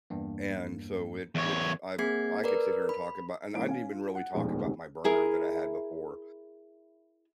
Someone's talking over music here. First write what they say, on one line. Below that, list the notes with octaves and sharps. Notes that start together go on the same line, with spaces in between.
and so, it it's I I could sit here and talk about and I didn't even really talk about my burner that I had before,
E2 G2 A#3
E2 C#5
A#3 C4 G#4 G#6 C7
A#4 B4 D5
B5
G#2 E3 A#3 C#4 C#5 D7
C#4 F5 G#5
F4
F#5
D#1 A#1 F2 B2 D#3 G#3
D2 C3 D#3 G#3 C#4
E4 G#4 A#4